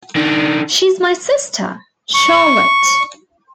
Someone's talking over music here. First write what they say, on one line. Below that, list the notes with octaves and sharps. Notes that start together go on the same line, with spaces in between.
She's my sister, Charlotte.
D#3 D4
C#6